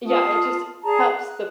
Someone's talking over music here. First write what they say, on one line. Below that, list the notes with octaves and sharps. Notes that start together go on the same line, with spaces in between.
Yeah, it just helps the
F4 A5 D#6
G#4 D5 A5 A#5
F#6